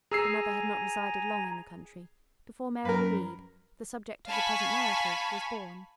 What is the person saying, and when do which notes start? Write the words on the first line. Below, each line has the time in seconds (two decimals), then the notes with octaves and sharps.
The mother had not resided long in the country before Mary Read, the subject of the present narrative, was born.
0.12 G#4 G#5 A#5 E6 C7
2.85 F#2 A#4 B4
4.27 F5 G#5 A5 B5 C#6